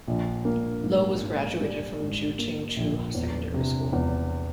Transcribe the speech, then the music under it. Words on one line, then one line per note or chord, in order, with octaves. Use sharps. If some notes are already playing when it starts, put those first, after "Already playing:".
Lo was graduated from Ju Ching Chu Secondary School.
A#1
A#3
G#2
G#2
G3
G#2
A#3
A#1
E2
C3
E2